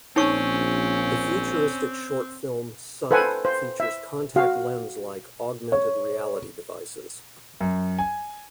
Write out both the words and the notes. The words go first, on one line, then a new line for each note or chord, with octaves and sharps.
The futuristic short film "Sight" features contact lens-like augmented reality devices.
A#1 A#2 C4 C#4 D#4 C#5 C#6
A4 B4 C5 F#5 G#5
C5
E5
F#4 F5
C#5
F#2
G#5